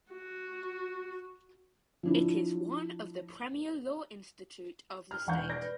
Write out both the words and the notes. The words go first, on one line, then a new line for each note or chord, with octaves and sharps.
It is one of the premier law institute of the state.
F#4
F3 D4 E4
F6
E1 E3 F#5 C#6 G6
D5 G6 A#6
B4